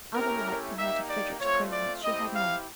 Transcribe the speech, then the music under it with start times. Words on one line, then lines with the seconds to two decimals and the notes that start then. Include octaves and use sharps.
Other light than that of Frederick's presence she had none.
0.13 A3 C#4 E4 G4 A#4
0.77 A#3 D#4 G4 E5
1.08 D5
1.39 A3 C4 F4 C#5
1.71 D5
2.02 C4 E4 G4 D#5
2.34 F5